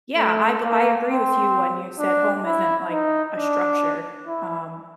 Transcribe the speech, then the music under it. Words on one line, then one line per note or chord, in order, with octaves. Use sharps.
yeah, I be I agree with you when you said home isn't, like, a structure, um,
A3
A#3
C4
D4
E4
D#4
D4
E4